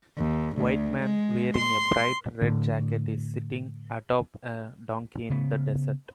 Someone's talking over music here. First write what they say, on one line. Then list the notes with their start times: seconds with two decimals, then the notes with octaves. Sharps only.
White man wearing a bright red jacket is sitting atop a donkey in the desert.
0.17 D#2
0.56 D2
1.02 G#3
1.56 C6
2.41 A2 D3
5.30 C#3 B3